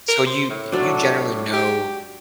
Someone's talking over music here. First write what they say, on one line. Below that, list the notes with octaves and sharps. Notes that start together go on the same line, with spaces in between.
So, you y you generally know
A#4
C5
A2
F#3 D4
G4